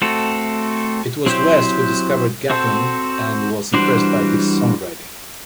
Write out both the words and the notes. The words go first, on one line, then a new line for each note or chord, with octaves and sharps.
It was West who discovered Gatlin and was impressed by his songwriting.
A3 C4 F#4 A4
F#3 C4 E4 G4 C5
C4 F#4 A4 C5
E3 G3 D4 F#4 C5